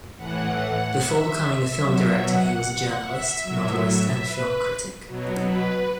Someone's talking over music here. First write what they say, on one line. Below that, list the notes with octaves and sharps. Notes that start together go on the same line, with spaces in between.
Before becoming a film director he was a journalist, novelist and film critic.
A2 E3 F#5
E5
B2 F#3
F#5
E5
F#3
A2
B4
B2 F#3
B4